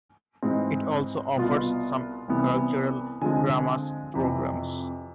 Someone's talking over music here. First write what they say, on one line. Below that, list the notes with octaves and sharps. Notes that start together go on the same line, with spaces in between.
It also offers some cultural dramas programmes.
G#2 E3 G#3 C4
C2 B2 B3 F4
C2 C3 E3 B3
D3 F3 G#3 C4 G#5
F2 C3 E3